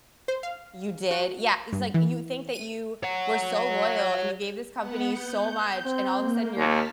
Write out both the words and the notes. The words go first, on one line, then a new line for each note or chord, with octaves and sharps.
You did? Yeah, it's, like, you think that you were so loyal and you gave this company so much and all of a sudden you're
C5
F5
F#4
G2
E3
D#7
C#5 F#5
B3 F#5
G6
C4
A#3
D#2 A5 F6 B6